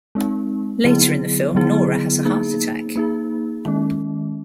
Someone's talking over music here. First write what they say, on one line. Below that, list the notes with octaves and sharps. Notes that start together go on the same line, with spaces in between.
Later in the film, Nora has a heart attack.
G#3 C4 D#4
D3 F#3 B3 E4 G#4
D3 F#3 B3 E4 G#4
A#3 D#4 G#4
A#3 D#4 G#4
D#3 G#3 C#4